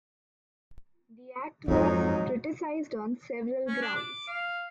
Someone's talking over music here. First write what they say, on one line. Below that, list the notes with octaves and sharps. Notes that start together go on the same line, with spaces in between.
The act was criticized on several grounds.
F2 G#2 F#3 D#4
C#4
D4
D6
F5